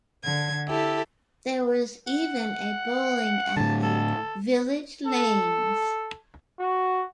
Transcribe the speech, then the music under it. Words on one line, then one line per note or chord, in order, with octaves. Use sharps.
There was even a bowling alley, Village Lanes.
D3 G#6
E4 G4 A4
F#5
A2 D3 A5
A4
A4
F#4